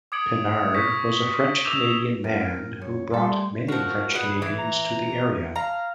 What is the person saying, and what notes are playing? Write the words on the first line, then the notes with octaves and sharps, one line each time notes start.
Pinard was a French Canadian man who brought many French Canadians to the area.
D6 D#6 G#6 C#7 D7 F#7
C#6 G6 A#6 B6 C#7
D6 E6 G6 E7 F7 G7
F#2 A#4
F#2 C#5
G3 A3 A4 C6
F3 F#4 A#4
G#4 B4 F#5
E3
A#5
F5 A#5